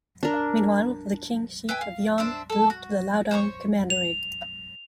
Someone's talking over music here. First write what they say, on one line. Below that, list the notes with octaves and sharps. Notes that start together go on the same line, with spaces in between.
Meanwhile, the King Xi of Yan moved to the Liaodong Commandery.
D4 A#4
B4 E5 G5 G#5
F5
D4 C5 E5
A4 A5
F#4
C5 C#5 A#5 C#6
F7